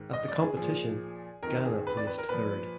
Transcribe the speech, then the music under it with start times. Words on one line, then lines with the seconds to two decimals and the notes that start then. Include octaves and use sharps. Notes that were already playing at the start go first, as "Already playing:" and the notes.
At the competition Ghana placed third.
Already playing: G#2 D#3
0.13 D#5
0.28 D5
0.43 G#4
0.57 A#2 F3 G#4
1.43 F2 D#3 A#4
1.65 G#4
1.87 B4
1.97 D5
2.07 B4
2.18 A#4
2.29 A#2 F3 B4